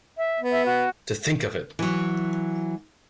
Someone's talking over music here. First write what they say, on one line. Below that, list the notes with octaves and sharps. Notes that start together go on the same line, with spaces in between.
To think of it!
E5
B3
E5
F#4
E3 F#3